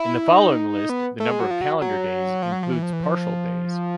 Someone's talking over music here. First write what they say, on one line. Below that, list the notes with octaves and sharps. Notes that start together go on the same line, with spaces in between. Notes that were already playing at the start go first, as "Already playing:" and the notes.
In the following list the number of calendar days includes partial days.
Already playing: E4
D#4
B3
A3
G#3
F#3
F3
F#3
F#3
F3
F#3
F3
E3
F3
E3
F3